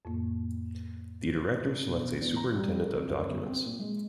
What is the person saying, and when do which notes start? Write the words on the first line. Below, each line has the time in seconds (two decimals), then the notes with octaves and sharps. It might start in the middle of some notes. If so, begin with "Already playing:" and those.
The Director selects a Superintendent of Documents.
0.05 F2 A2 A#3
1.64 D4
1.85 B1
2.20 E2
2.36 A#5
2.55 G3
2.80 A#4
2.94 F2
3.09 F#2
3.28 G1
3.46 C4
3.66 A#2
3.79 G#3